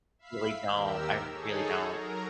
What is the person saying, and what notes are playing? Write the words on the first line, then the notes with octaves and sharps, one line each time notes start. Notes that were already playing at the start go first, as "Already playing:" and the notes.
Really don't, I really don't.
E5 F5 B5 B6 C7
D#2 G4 A#4 E6
D#4 G#4 A4 C#5
F#3 A#4 A#5